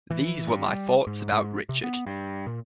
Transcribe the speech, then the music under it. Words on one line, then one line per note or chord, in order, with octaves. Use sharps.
These were my thoughts about Richard.
E3
G2
G3
G#2
G#2
C3
B3
G2
A#2